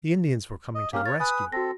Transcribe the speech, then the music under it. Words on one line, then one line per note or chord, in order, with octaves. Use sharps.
The Indians were coming to the rescue!
D#5
A#3 C#4 G4 F5 F6
C#5 A6
B4 G#5 D#6 F#6
C4 F#4 A4 A#6